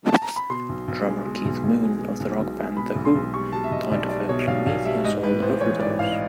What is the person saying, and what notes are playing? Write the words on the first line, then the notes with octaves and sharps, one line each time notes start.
Drummer Keith Moon of the rock band The Who died of a clomethiazole overdose.
A5
A#5
B5
B2 C6
B1
B1
G#3
B2
B1
B1
G#3
B2
B1
B1
G#3
B2 B5
B1
C6
B1
G3 C#6
B2 A5
E5
B1 D#5
B1 D5
G3 D5
B2 C#5
B1 F5
B1 F5
G3 E5
G#2 D#5
A1 B4
A1 C5
E3 C#5
G#2 D5
A1 F5
D#5